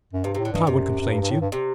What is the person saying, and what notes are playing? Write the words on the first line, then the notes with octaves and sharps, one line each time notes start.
But I won't complain to you!
F#2
G2 C3
C3
A2
D3
G2 D#3
F#2 C3
F#2
G2
G2
A2
G2
C3